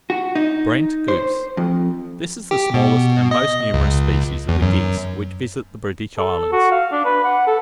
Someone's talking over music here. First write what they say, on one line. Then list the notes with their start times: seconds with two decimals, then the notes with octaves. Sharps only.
THE BRENT GOOSE.--This is the smallest and most numerous species of the geese which visit the British islands.
0.10 F#4
0.35 D#4
1.08 C5
1.57 F2
2.51 G4
2.74 B2
3.31 D#5
3.74 C#2
4.48 E2
4.62 F#2
6.18 A4
6.52 F#4
6.71 F5
6.92 D4
7.05 B4
7.24 F#5
7.47 A4